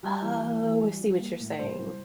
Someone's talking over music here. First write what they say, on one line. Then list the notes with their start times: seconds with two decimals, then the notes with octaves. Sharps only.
Oh, I see what you're saying.
0.03 G3
0.22 E3
0.41 E3
0.62 E3
0.81 G3
1.00 G3
1.19 A#3
1.40 A2
1.59 C2 C5 C6
1.79 C2